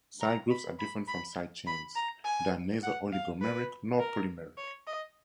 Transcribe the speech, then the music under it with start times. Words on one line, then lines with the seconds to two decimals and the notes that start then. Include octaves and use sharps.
Side groups are different from side chains; they are neither oligomeric nor polymeric.
0.21 A#5
0.50 B5
0.79 B5
1.08 B5
1.67 B5
1.96 A#5
2.25 G#5
2.83 F#5
3.12 F5
3.41 B4
3.99 A#4
4.58 C#5
4.87 D#5